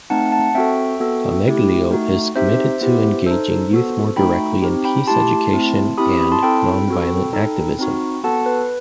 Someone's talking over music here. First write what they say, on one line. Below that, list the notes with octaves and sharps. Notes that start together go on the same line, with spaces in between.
Ameglio is committed to engaging youth more directly in peace education and nonviolent activism.
A3 C4 D#4 F#5 A5
F#5 A5
C4 F#4 A4 E5 G5
B3 F#4 A4
A3 E4 G4
A3 D#4 F#4
C4 D#4 G4 C5 E5
B3 E4 G4
D#4 A4 C5
B3 F#4 A4
A3 D#4 F#4 G5 B5
C4 D#4 G4
G5 B5
A3 E4 G4 A5 C6
A3 C4 E4
C4 E4 G4 B5 D#6
B5 D#6
A5 C6
C4 E4 A4 G5 B5
C4 F#4 A4
D#4 A4
C4 D#4 F#4
B3 F#4 A4 F#5 A5
B4